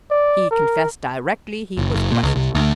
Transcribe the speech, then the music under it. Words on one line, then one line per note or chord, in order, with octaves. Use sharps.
He confessed directly he was questioned.
D5
A#4
F#1
F#1
A#2
C#2
C2
D2